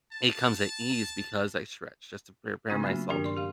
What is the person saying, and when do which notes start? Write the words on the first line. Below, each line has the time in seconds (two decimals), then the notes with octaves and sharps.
it comes at ease because I stretch just to prepare myself
0.13 A5
2.70 C#3 A3 C4 D4 F4
2.83 F#3 A#3 C#4 F#4
3.09 G2 D#3 D4 G4 A#4 C#6
3.24 D5 C6
3.37 G4 F5